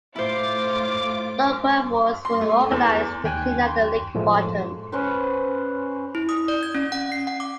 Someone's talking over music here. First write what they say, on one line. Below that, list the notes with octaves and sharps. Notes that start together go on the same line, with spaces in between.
Local efforts were organized to clean up the lake bottom.
A2 E4 F4 C5 D6
C6
A3
E2
D#2 G5 G#5 F#6
A2 F3 G#3 A3
C#4 B4 C5
E4
D#6
D5
G#6
C#4
F#5
C7
F#5
D6